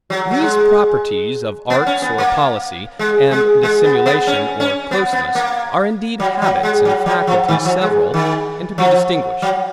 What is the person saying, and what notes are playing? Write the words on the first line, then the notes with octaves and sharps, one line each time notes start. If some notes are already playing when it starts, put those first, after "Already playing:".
These properties, of arts or policy, and dissimulation or closeness, are indeed habits and faculties several, and to be distinguished.
F#3
F#3
G#3
B3
C#4
B3
A#3
G#3
G#3
G#3
B3
B3
C#4
C#4
B3
B3
A#3
F#3
F#3
G#3
F#3
F#3
F3
D#3
F3
G#3
D#3
F3
F#3